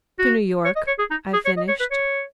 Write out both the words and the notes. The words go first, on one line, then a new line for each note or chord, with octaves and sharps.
"To New York," I finished.
F#4
C#5
D#5
C#5
G#4
D#4
G#4
C#5
D#5
C#5
B4
C#5